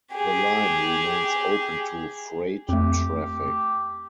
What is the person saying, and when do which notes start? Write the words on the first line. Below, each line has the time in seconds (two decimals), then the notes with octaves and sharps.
The line remains open to freight traffic.
0.15 G4 G#4
2.69 F2 A3 G4